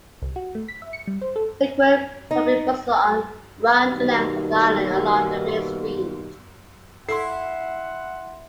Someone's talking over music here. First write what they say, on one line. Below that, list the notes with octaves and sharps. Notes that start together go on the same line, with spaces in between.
Frequent public buses run the length of the island along the main street.
C2
F#4
A3
B6
E5
C#7
G3
C5
A4
D#4
B2 D#3 G3 A#3 B3 D#4
E4 A4 F#5 C6 E6 C7